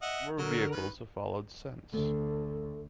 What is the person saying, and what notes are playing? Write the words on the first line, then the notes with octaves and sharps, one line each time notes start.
More vehicles have followed since.
D#5 E5 F#5
D3 F#3 A#4
D#3 B4
D2 D3 A3 A4